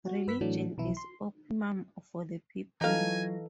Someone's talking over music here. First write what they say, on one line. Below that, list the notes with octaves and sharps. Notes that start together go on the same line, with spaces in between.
Religion is opium for the people.
F#4
G2 B4 E6 B6
A2 E3 F#3 A3 D4
B1 E3 E4
C6
E3 F#3 D#4 F4 A4 F5 G#5 A#6